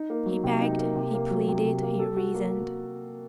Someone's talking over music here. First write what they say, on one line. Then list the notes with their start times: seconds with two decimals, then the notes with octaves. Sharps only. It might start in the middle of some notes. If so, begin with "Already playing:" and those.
He begged, he pleaded, he reasoned.
Already playing: D#4
0.10 A#3
0.26 F#3
0.44 C3
0.61 D#4
0.78 A#3
0.96 C3
1.13 A#3
1.31 F#3
1.48 C3
1.65 C3
1.83 A#3
1.99 A4
2.16 F#4
2.34 A#3